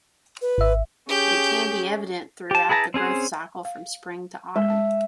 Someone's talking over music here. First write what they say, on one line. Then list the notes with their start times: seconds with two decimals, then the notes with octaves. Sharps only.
It can be evident throughout the growth cycle from spring to autumn.
0.42 B4
0.58 G#1 E5
1.08 C#4 G4 G#4 G6
2.51 G4 A5
2.69 E4 G#4 B4 A5 A#5
2.94 C4 C#4 G#4 C5
3.65 F5
4.56 G#3 E5
4.69 G#3 A5